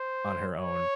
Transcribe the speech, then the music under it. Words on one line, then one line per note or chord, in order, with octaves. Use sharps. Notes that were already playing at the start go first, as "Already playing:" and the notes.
on her own.
Already playing: C5
C#5